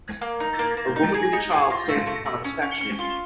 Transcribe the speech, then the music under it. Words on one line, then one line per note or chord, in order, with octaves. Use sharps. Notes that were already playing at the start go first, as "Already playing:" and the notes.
A woman with a child stands in front of a statue.
A#3
D#4
A#3
A#3
D#4
G#4
D#4
G#4
F4
A3
A3
A3
C#4
C#4
C#4
F4